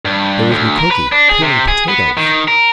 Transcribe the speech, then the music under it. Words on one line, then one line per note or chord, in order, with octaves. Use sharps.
There was Mukoki--peeling potatoes!
G2
D2
A#4
B4
D4
G#4
C3
G#4
B3
D#3
A#4